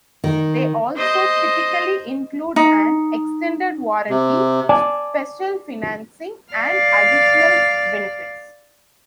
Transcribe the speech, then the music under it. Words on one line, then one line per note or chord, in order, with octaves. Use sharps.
They also typically include an extended warranty, special financing, and additional benefits.
D#3
C5 D#5
D#4
C3
D5 G#5 A5
D5 F5